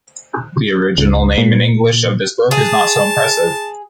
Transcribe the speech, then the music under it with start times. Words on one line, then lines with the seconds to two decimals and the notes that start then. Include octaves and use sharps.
The original name in English of this book is not so impressive.
0.98 C#2
1.38 A#2
2.51 G#4 A5